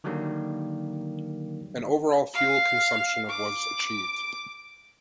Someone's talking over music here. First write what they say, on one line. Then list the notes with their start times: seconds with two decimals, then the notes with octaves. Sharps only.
An overall fuel consumption of was achieved.
0.04 D3 D#3 F#3 G3 A#3
2.34 F5
3.30 D6